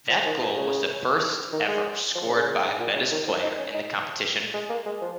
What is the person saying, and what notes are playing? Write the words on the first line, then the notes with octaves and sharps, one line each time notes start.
That goal was the first ever scored by a Betis player in the competition.
F3
D#3
A#2
C#3
D#3
G#3
F3
C#3
C#3
C#3
G#2
A#2
C#3
D#3
F3
D#4
C#4
D#4
G#3
A#3
G#3
F3